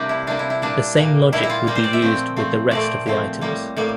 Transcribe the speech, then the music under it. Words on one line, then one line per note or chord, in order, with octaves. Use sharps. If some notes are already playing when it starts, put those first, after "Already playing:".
The same logic would be used with the rest of the items.
Already playing: C3 G3 A#3 D4 G4
E4
C3 G3 A#3 D4
E4
E4
A#2 G3 A#3 D4
A#2 G3 A#3
A#2 G3 A#3 E4
E4
F4
A#2 G3 A#3
C5
D5
E5
A#2 F3 A3 C4
A#2 F3 A3 C4
A#2 F3 A3 C4 D5
A#2 F3 A3 C4
A2 G3 A#3
A2 G3 A#3